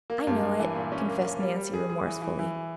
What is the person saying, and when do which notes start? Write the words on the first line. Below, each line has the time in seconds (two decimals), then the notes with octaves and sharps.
"I know it," confessed Nancy remorsefully.
0.10 A#3
0.27 G2
0.43 G2
0.59 E3
0.75 A#2
0.92 C#4
1.08 A#3
1.25 A#3
1.40 G3
1.57 G3
1.74 G#4
1.89 G#4
2.06 E3
2.22 E3
2.39 E3